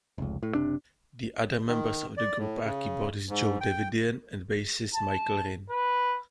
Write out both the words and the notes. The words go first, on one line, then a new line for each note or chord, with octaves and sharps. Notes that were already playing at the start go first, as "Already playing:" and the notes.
The other members of the group are keyboardist Joe Davidian and bassist Michael Rinne.
F1 C#2
A2
F#1 C3 D4
D#3
D5
A2
C#3
G#2
G5
A5
B4